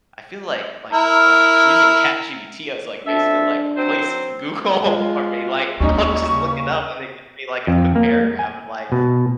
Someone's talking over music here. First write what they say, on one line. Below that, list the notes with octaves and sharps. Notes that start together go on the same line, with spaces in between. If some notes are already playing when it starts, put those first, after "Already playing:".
I feel like like like using ChatGPT, I was, like, basically, like, replace Google for me, like, I'll just look it up and they give me, like, a quick paragraph of, like,
E4 A#4
F2 D4 A4 E5
F#3 C4 C5
G#3 F4
D#2 G3 C#4 D#4 C#6
C#3
F2
A#3
G#5
B2